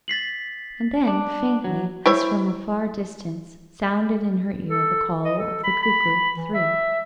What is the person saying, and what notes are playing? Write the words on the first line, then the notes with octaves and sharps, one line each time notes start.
And then faintly, as from a far distance, sounded in her ear the call of the cuckoo--three.
A6 B6 C7 F#7
D4
F#3
E4 C5 C#5
A4
D#5
A4
B5
B5
E3
E5